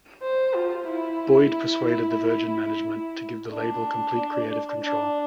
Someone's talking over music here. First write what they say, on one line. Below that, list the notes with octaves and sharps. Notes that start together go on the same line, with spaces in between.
Boyd persuaded the Virgin management to give the label complete creative control.
C5
F4
E4
D4
D4